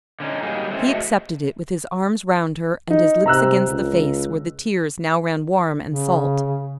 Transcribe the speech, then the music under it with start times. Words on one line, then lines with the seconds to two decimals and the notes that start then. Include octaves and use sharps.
He accepted it, with his arms round her and his lips against the face where the tears now ran warm and salt.
0.20 D3 C#4 D#4
0.43 F#3 G3 A#3 D#4 G#4
0.71 G#3 A3 C4 C#4 E4 C5
0.86 A3 F#4 G#4 A4 D#5 E5
2.90 D#4
3.26 C3 A#5 E6 F#6
3.68 C#2
5.90 C#3